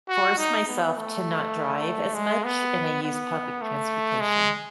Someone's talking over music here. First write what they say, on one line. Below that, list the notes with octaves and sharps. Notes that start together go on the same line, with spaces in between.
force myself to not drive as much, and I use public transportation.
F#4
D#4
B3
A3
G#3
B3
B3
A3
G#3